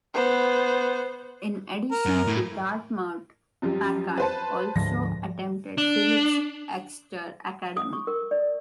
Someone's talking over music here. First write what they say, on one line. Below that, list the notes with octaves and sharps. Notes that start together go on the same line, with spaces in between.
In addition to Dartmouth, Packard also attended Phillips Exeter Academy.
B3 C5
A#4
F#2
A2 E4
F#2 F3 G3
B4 C5 A5
D2 G#2 F3 A#6
D4
D#6
C#6
A#4
D5